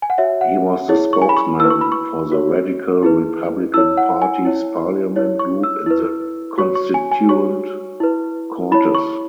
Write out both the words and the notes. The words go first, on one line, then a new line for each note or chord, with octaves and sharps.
He was the spokesman for the Radical Republican Party’s parliament group in the Constituent Cortes.
G#5
F#5
F#4 C#5 E5
F#5
E4 G#4 C#5
C#6
G#5
B5
C#6
E4 B4 E6
C#6
B5
C#6
F#4 C#5
E4 G#4 B4
E4 C#5 E6
F#5
G#5
E4 C#5
E4 C#5
C#6
E6
E4 B4
F#4 C#5 C#6
C#6
G#5
G#5
F#4 C#5 C#6
E4 B4
E4 C#5 B5
C#6